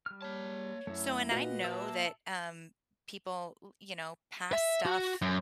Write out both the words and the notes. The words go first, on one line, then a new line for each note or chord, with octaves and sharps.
So and I know that, um, people, u you know, pass stuff,
G3 F6
A#3 C#5 A5
F#2 A3 E4
A#2 F#4 B4 D#5 F7
A#3 E5 A5
E5
F#4
F#2